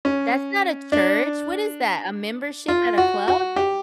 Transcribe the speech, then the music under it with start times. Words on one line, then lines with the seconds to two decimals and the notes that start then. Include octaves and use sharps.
That's not a church, what is that, a membership at a club?
0.05 C#4
0.92 D4
2.68 F4
2.98 F#4
3.28 F#4
3.56 G4